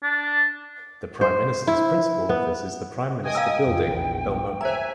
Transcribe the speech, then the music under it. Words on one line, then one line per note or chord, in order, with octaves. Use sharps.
The Prime Minister's principal office is the Prime Minister Building, Belmopan.
D4
C5
E4
B3
D#5 G5 G#5 D#6
F5 A#5 E6
F2
A#1 E2
C5 E5 G#5 A#5